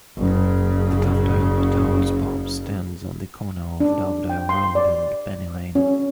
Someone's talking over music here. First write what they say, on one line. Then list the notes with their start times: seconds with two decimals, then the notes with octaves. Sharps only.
The Dovedale Towers pub stands on the corner of Dovedale Road and Penny Lane.
0.17 F#1 C#3
3.80 D4
4.29 G5
4.49 C6
4.75 D5
5.75 C#4